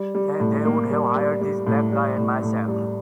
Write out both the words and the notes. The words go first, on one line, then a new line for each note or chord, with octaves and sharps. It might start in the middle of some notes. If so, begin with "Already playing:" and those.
Then they would have hired this black guy and myself.
Already playing: G3
G3
A2
A#3
G3
G3
G3
A2
G3
A2
A2
G3